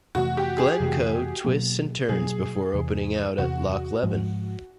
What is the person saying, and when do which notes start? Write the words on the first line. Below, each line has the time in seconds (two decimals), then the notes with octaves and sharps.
Glen Coe twists and turns before opening out at Loch Leven.
0.15 F2 C3 E3 A3 F#4
0.37 G4
0.58 G#4
0.80 F2 C3 E3 A3
1.45 B2 F#3 A#3
2.09 B2 F#3 A#3 G#4
2.73 E2 C3 E3
3.38 E2 C3 E3 F#4
4.03 G#2 F3 G#3